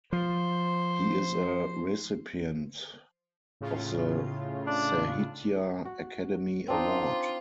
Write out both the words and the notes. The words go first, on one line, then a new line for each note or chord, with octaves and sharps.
He is a recipient of the Sahitya Akademi Award.
F3 C5
A2 C#3 F4
D4
F#4
C4 D4 D#4 F4